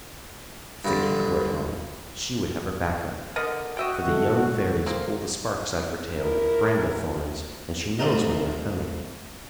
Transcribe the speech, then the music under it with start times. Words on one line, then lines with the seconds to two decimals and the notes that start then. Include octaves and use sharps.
If the cat were at home, she would have her back up; for the young fairies pull the sparks out of her tail with bramble thorns, and she knows when they are coming.
0.85 G2 D3
3.36 D3 A#4 D#5
3.77 F#4 D#5 E5 G5
4.07 D3 G#3 A4
4.86 A#3 C4
6.14 E4 A#4
7.99 C2 C3 A3 D#4 A#4 D#5